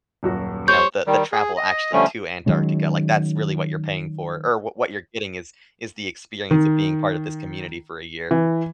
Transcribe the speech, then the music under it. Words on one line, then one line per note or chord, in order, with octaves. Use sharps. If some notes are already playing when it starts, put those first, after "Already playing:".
you know, the the travel actually to Antarctica. Like, that's really what you're paying for. Or what what you're getting is is the experience of being part of this community for a year.
D#1 F#2 F#4
G3 C5 C#5 G6
D#3 G3
G#4
D#5
D3 F3 G3 A3 C#4
D#3 F#3 G#3 C#4
D#3
E3